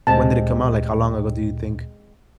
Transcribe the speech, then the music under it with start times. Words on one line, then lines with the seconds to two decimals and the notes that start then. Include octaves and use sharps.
when did it come out, like, how long ago do you think?
0.07 D2 A#2 G#3 C4 G4 A5